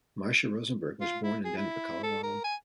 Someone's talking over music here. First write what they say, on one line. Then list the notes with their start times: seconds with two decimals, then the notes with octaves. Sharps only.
Marsha Rosenberg was born in Denver, Colorado.
1.01 F4
1.24 E4
1.45 G#4
1.57 E4
2.03 A4
2.23 A#4
2.44 G#5